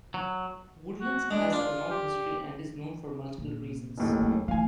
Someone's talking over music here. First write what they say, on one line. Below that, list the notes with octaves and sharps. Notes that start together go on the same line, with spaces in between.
Woodlands has a long history and is known for multiple reasons.
F#3
F#4
G#3 D4
D4 F4
G4
A#2
F#1 D#2 A2
D#3 F#3
E3 A3 F5 G#5